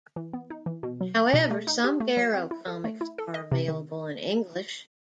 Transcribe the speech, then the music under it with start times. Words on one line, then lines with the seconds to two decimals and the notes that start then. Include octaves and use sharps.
However, some "Garo" comics are available in English.
0.16 E3
0.33 B3
0.50 D#4
0.66 E3
0.83 B2
1.01 F#3
1.17 A3
1.34 B2
1.51 A3
1.67 D#4
1.84 G4
2.00 A3
2.17 F#3
2.34 C4
2.51 E4
2.67 A4
2.84 A3
3.01 E4
3.18 A4
3.34 D#5
3.52 C3
3.68 D#3